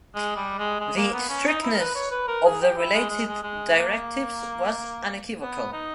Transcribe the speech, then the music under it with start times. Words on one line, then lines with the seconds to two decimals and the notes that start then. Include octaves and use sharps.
The strictness of the related directives was unequivocal.
0.15 G#3
0.36 G3
0.59 G#3
0.80 G#3
0.97 A#3
1.13 B3
1.29 C#4
1.46 D#4
1.63 E4
1.74 A#4
1.79 B4
1.95 C#5
2.11 B4
2.28 A#4
2.45 G#4
2.61 G4
2.78 E4
2.94 G#3
3.10 G#3
3.27 G#3
3.43 G#3
3.76 A#3
5.40 B3
5.72 D#4